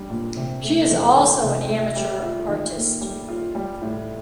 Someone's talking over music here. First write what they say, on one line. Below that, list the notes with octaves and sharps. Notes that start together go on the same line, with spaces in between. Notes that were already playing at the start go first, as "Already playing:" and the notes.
She is also an amateur artist.
Already playing: G3 D4
A#2
C3
A3
F2
D#3
C3
A3
G3
F4
D#3
A#3
G3
F4
G3
A2